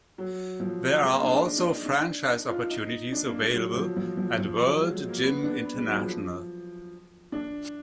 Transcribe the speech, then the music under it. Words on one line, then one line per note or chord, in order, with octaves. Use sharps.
There are also franchise opportunities available at World Gym International.
F#3
F3
G#3
A#3
D4
D4
D#4
D4
D#4
D4
D#4
F4
D#4
D4
A#3
G#3
F#3
F3
F3
F3
F3
F#3
G#3
G#3
A#3
B3
B3
D4
B3
G#3
F#3
F3
D4